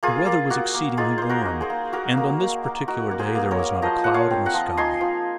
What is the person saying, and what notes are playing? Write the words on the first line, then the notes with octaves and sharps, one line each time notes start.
The weather was exceedingly warm, and on this particular day there was not a cloud in the sky.
A#3 F4 G#4
A#3
A#3 F#4
A#3
D#4 F4 G#4
A#3 C5
F#4 A#4
D#4
G#4 C5
A#3
A#3 F#4 A#4
A#3
A#3
A#3
D#4 F#4 A#4
A#3
G#4 C5
A#3
A#4 C#5
A#3
F3 C5 D#5
F3 F#5
C#5 F5
C4
D#5 F#5
F3
D#4 G#5 C6
F3